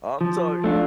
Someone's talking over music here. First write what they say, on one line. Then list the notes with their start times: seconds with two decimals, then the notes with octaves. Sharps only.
I'm sorry
0.21 F3
0.64 A3 D4 F4